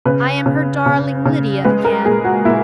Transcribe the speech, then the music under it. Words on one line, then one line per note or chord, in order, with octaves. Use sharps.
I am her darling Lydia again!
C#3 B4
C#3
C#3
C#3
G#3 B4
A#4
A#2 G#4
F#4
A#2 E4